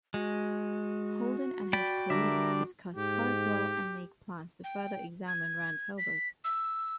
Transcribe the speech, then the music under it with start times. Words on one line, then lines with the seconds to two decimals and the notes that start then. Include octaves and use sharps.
Holden and his colleagues discuss Karswell and make plans to further examine Rand Hobart.
0.14 G#3 F#4
1.73 D5 G5 B5
2.10 D3 G3 D4 A#4 E5
2.96 G#2 G4
4.64 G5
5.28 G#6
5.98 B6
6.44 E6